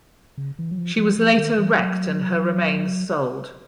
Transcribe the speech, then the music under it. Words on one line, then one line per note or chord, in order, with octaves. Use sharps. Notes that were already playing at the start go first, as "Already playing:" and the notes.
She was later wrecked and her remains sold.
C#3
E3
F#3
F3
F3
F3
D#3
E3
F#3